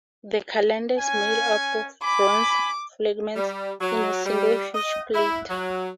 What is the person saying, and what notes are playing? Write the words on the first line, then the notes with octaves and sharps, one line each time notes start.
The calendar is made up of bronze fragments, in a single huge plate.
C#4 G#5
G#5 B5 D6
G3
F#3
G3
D#5
E4
F#3